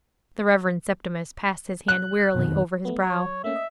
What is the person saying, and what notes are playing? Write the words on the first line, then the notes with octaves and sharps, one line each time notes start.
The Reverend Septimus passed his hand wearily over his brow.
F#6
F2 B2 D#3
A3 B3
F#3 C#5
A3 A#3 C#4 E5
D#5